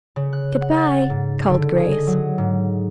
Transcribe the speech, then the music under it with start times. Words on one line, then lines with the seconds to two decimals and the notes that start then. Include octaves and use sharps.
"Good-bye," called Grace.
0.16 C#3
0.33 F#6
0.61 F#5
0.77 A6
1.10 G#2
1.50 D3
1.77 G#4
1.92 D#5
2.07 F#3
2.38 G#2